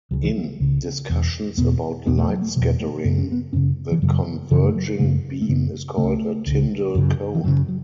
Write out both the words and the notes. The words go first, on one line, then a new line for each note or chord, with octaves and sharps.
In discussions about light scattering, the converging beam is called a "Tyndall cone".
C#2 C#3 F#3
E3
F#3
C#2 C#3
E2 B2
E2 B2 B3
E2 B2 B3
A3
F#3
A3
E2 B2 F#3
A3
F#2 C#3 B3
C#4
B3
F#2 C#3 C#4
E3
F#2 C#3 F#3
F#2 C#3 E3
A3
F#3
F#2 C#3 A3
A3
F#2 C#3 B3
C#2 C#3 A3
C#2 C#3
F#2 C#3
E3
F#2 C#3 F#3
F#3